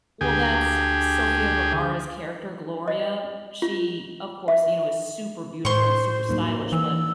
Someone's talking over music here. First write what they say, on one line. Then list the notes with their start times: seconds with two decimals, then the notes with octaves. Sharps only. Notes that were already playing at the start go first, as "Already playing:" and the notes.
Well, that's Sofia Vergara's character, Gloria. She, of course, you know, is super beautiful and super stylish, but
0.21 D2 G4 G#4
2.88 D#5
3.62 F4
4.48 E5
5.65 A2 C5 C6 C#6
6.29 F#3 A#3 D#4
6.72 E3 E6